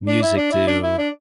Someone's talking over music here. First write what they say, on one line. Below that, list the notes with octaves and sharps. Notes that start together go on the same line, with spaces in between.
music to
D4
E4
D4
E4
D4
E4
D4